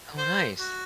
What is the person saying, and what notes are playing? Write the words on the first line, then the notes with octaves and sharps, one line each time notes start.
Oh, nice.
C5
F#4